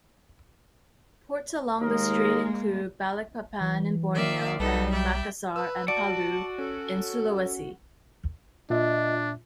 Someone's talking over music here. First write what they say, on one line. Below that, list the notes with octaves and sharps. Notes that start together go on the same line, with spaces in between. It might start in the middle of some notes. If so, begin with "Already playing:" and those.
Ports along the strait include Balikpapan in Borneo, and Makassar and Palu in Sulawesi.
D#2 G#3 A#3 A#4 D#5
E3
D#3 A#3 D5 E5
B1 G3 D#4 A4 B4
D5 E5 G5
B4 E6
F#4 D5 A5 D7
C#4 A4
A#2 D4 F4 D#5 E5